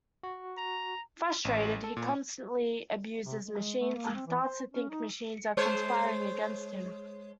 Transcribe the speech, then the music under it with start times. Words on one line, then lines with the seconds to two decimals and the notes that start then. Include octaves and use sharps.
Frustrated, he constantly abuses machines and starts to think machines are conspiring against him.
0.23 F#4
0.57 A#5
1.45 A1
1.84 A4
1.97 A#2
3.26 C3
3.44 G#3
3.81 A3
3.95 A#3
4.15 C4
4.27 E3
4.43 C5
4.73 C#4
4.89 D#4
5.57 G#3 C5 C#5